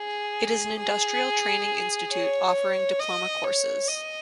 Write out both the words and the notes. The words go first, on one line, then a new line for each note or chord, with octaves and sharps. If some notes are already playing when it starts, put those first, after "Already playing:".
It is an industrial training institute offering diploma courses.
Already playing: G#4
G#4
C#5
D#5
C#5
D#5